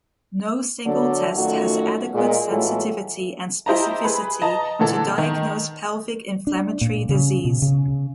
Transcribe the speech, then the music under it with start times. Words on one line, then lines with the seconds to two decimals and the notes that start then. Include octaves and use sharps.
No single test has adequate sensitivity and specificity to diagnose pelvic inflammatory disease.
0.86 D3 F#3 D5
1.33 F#2 D#3 F#3 A3 F4 F#4
2.14 A#2 G#3
2.49 A2 E3 F#3 G#3 F4 A4
3.66 E4 G4 C5 D#5 A5 A#5
4.04 G#4 B4 B5
4.42 D#5 A5 A#5
4.79 A#2 D3 E3 A4
5.18 D#3
6.47 D4
6.81 A#2
7.09 C#3
7.45 B2
7.62 C#3